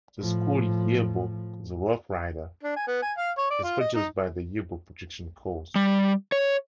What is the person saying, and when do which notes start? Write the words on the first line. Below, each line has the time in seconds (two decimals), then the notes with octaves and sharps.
The school yearbook, the "Rough Rider", is produced by the yearbook production course.
0.19 A2 F3
2.63 D4
2.76 G#5
2.88 B3
3.02 G#5
3.18 F5
3.38 C#5
3.50 D5
3.64 F4
3.80 D#5
3.95 D#4
5.75 G3
6.32 C#5